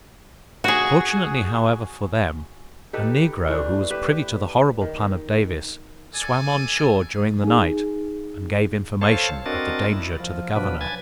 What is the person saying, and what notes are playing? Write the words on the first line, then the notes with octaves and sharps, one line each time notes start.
Fortunately however, for them, a negro, who was privy to the horrible plan of Davis, swam on shore during the night, and gave information of the danger to the governor.
F#4 G#4
D#4 G4 A4 B4
E3 A3 D4
G4 B4 E5
D#3
A4 D5 G#5
D#4 G#4
A4 C5 C#5 F5 A5
C4 D4 F#4 A#4 D#5 A6
E4
F3
B2 F3 F#3 D4 B4
B4 G#5 G#6 A6